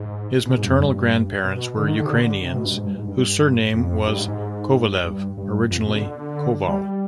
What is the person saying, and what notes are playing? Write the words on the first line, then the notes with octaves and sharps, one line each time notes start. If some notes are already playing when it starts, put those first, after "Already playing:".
His maternal grandparents were Ukrainians, whose surname was Kovalev, originally Koval.
Already playing: G#2
B2
G#2
G2
F2
G2
B2
D3
D#3
D3
C3
D3
D3
C3
B2
G2
G#2
G2
G#2
G2
F2
G2
G#2
G#2
G2
G2
F2
B2
D3
G3